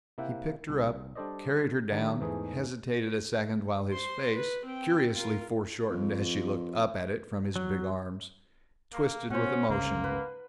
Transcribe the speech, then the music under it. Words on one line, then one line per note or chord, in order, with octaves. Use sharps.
He picked her up, carried her down, hesitated a second while his face--curiously foreshortened as she looked up at it from his big arms--twisted with emotion.
C3 A#3 E4 E5 F#5 G5
C2
G3 D4 A4 C5 D5 D#5
D#3 G3 D4 A#4
E2 G#2 E3 A3 D#4 G#4
C5 C6
B4
C4 G5
F4 A#4
F2
F#3
A#3
B2 C#4 C5 F#5
G1 C#2 C#3 A#3
B4